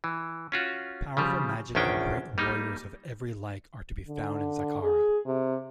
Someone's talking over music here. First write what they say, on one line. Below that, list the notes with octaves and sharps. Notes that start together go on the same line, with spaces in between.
Powerful magic and great warriors of every like are to be found in Zakhara.
E3
C#4 F4 F#4
C#3 F3 G3
A#1 E2 D#3 C#4 D4 G5
G3 A#3 D#4
D3
G#4
C3